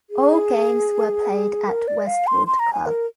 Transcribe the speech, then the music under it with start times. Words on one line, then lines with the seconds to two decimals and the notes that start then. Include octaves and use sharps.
All games were played at Westwood Club.
0.10 G#4
1.68 A#4
1.88 D5
2.07 F5
2.27 C6
2.47 C6
2.59 A#5
2.73 G#5
2.86 A#4